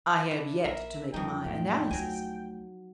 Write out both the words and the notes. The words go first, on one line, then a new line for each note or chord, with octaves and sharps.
"I have yet to make my analysis."
D4 E4
A#1 A#4 E5
F2 G3 D#4 G5
D2 A2
D2 F#3 G#5